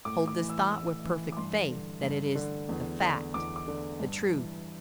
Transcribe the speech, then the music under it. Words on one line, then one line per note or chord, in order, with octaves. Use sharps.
Hold this thought with perfect faith that it is the fact, the truth.
A2 D6
D6
E3
E6
A2 E6
E3
D6
G2 C6
D3
G2
D3
E2
D3
E2 D6
D6
D3
G2
E3